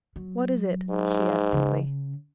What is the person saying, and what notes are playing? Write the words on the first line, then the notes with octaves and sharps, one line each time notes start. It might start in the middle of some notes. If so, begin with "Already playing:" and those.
"What is it?" she asked simply.
F#3
G#2
C#3